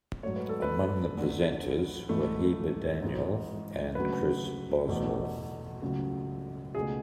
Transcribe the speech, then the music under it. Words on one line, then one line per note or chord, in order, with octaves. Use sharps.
Among the presenters were Hiba Daniel and Kris Boswell.
G#2 F#3 A3 C#5
B4
A4
B4
E2 D3 A3
G#2 E3 A3
G#2 E3 G#3
D2 C#3 F#3 A3 B4
E2 B2 A3
C#2 C#3 F#3 A3
C#2 B2 A3 G#4